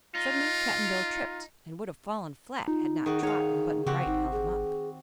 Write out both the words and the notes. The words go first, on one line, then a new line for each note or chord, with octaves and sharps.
Suddenly Cap'n Bill tripped and would have fallen flat had not Trot and Button-Bright held him up.
D#4 F4
D#4 F4
D#3 F#4 G#4
D#4 G#4 C#5 F5
C#3 C4 F#4 G4
G#1 D#4
G#4